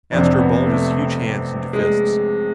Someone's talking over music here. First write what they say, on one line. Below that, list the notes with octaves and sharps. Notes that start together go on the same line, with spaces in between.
Astro balled his huge hands into fists.
F1 F2 C3 D4
B3
A3
G#3